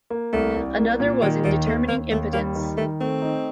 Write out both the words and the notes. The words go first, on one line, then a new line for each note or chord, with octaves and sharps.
Another was in determining impotence.
A#3
C2 A3
C2
A#3
A#2
D#3 G3
D#2 G3
D#2 A3
D#2 A#3
D#2 A3
G3 A#3
D#3
D#3 A3
A3 C4
D#4